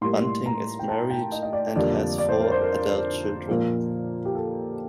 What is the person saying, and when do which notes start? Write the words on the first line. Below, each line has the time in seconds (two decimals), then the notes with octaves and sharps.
Bunting is married and has four adult children.
0.01 A2 G3 A#3 C6
0.46 A#5
0.79 G5
0.89 A5
1.10 G5
1.32 D#5
1.43 D#5
1.53 D5
1.76 F2 D3 G3 A#3 D5
2.18 D5
2.29 C5
2.41 A#4
2.51 C5
2.61 A#4
3.49 A#2 F3 A#3
4.25 G4
4.35 A4